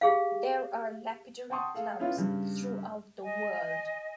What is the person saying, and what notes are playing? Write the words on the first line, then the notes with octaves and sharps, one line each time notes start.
There are lapidary clubs throughout the world.
G4 G#4 F5
F#5 G5 A5 C6 C#6 D#6
G#4 A4 F5
B3 C#4 E4 F4
G2 C#3
D#5 G#5